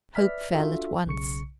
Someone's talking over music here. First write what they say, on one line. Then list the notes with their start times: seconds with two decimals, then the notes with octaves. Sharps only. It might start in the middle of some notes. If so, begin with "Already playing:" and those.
Hope fell at once.
0.15 B4 D5 E5 F6 B6
0.53 D4 F4 F#4 A4 E5
1.06 B1 C#3 C#6 C#7